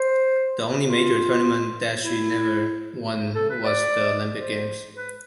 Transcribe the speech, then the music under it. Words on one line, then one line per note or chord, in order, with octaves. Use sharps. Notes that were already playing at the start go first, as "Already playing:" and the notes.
The only major tournament that she never won was the Olympic Games.
Already playing: C5
F4
E4
A4
B4
D5
C5
B4